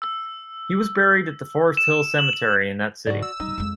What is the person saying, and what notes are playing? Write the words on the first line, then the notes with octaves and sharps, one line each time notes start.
He was buried at the Forest Hill Cemetery in that city.
E6
E7
F#7
E7
G#2 F#4 D5
E6
G3 D#4
F2 G#3